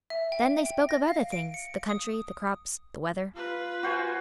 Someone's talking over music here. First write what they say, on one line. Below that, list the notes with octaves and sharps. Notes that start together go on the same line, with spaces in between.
Then they spoke of other things: the country, the crops, the weather.
E5
G5
G5
A#6
F5
D7
C#7
D#6
F4 B4
F#4 C5 G#5